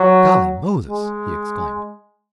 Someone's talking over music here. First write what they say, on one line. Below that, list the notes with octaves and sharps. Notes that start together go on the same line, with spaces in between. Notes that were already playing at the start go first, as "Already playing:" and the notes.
"Golly Moses!" he exclaimed.
Already playing: F#3
G#3